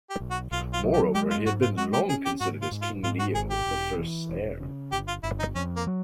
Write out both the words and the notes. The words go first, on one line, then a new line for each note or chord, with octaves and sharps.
Moreover, he had long been considered as King Leo the First's heir.
G4
B1
F#4
B1 F4
F4
F#3
G4
G#3 G4
F4
G#2 F#4
F4
G#3 F#4
G4
C#4 G#4
G4
G#2 F#4
F4
G#2
F4
G#2 F4
F#4
G#1 G#4
G4
E1
E3
E1
C#3
G1 G4
F4
G1 E4
D#4
F2 C#4
A#3
F#3